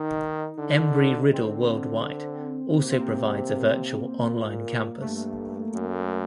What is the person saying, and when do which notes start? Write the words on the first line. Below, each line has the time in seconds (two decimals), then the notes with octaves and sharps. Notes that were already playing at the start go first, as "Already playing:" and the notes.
Embry-Riddle Worldwide also provides a virtual "online campus".
Already playing: D#3 D#4
0.58 D3
1.32 D3 C4
2.79 C3 A#3
2.89 C4
3.00 A#3
4.26 A#2
5.00 G2 A3
5.73 F#2